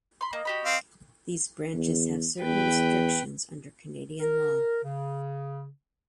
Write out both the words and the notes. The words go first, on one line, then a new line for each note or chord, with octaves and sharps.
These branches have certain restrictions under Canadian law.
B5 C6
A#3 D#5
F#4 G4 B5
C4 F5
E2
E2 B4 G5
A#4
C#3